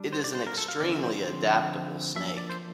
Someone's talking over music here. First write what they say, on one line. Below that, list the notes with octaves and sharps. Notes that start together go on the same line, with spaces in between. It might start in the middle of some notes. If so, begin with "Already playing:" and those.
It is an extremely adaptable snake.
Already playing: G3 D4
C5
D5
C5
A#4
A4
F5
D3 F3 C4 D5
E5
C5
C5
F3 A#3 D4 E5
E5
D5
C5